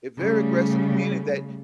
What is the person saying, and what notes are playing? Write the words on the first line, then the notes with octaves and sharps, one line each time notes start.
They're very aggressive, meaning that
C#3 G3 A3